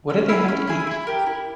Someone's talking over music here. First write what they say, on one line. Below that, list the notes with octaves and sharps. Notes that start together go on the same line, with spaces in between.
What did they have to eat?
C#4
E4 G#4
C#4
E4 G#4
E4
G4 A#4
E4